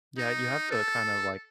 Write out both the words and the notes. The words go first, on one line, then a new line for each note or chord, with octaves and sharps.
Yeah, you have to kinda, like
D#4
A4